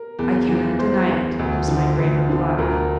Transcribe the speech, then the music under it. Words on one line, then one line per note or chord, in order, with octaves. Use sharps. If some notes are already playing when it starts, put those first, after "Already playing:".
"I cannot deny it," was my grave reply.
Already playing: A#4
E2
E3
E2 C5
E3
D2
D3 F3
D2
D3 F3
D2 A#4